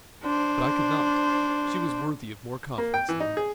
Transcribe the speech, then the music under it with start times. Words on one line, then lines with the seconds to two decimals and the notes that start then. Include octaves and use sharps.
But I could not; she was worthy of more confidence than that.
0.23 D4 C5
2.78 A#3
2.94 G5
3.09 E3
3.20 D#4
3.37 G#4